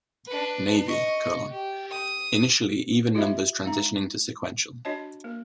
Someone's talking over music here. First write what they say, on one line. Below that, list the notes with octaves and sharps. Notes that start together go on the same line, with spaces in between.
Navy: Initially even numbers transitioning to sequential.
D4 B4
D#5 C#6
G4
D#6
F4 G4 C#5 D#5 E5 B5
G#3 D#4 F5 A#5
D4 F#4 C#5 D#5 A5
A#3 A#4